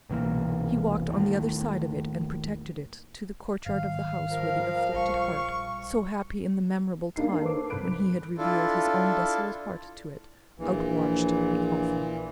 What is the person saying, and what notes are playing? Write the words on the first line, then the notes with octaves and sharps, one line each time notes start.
He walked on the other side of it and protected it to the courtyard of the house where the afflicted heart--so happy in the memorable time when he had revealed his own desolate heart to it--outwatched the awful night.
C2 B2 E3 A#3
D#2 A2
G#2 D#3 G3 F5
F3 A#4
A#1 G3 C#6
A#3 D4 D#4 C7
A4 B4 C5 D6
C2 B5 F#6 D7
D4 E4 F4 A4
A#1 A#2 E3